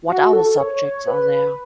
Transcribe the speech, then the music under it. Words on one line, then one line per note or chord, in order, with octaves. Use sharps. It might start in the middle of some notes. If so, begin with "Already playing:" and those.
What other subjects are there?
F#4
A4
C#5
B4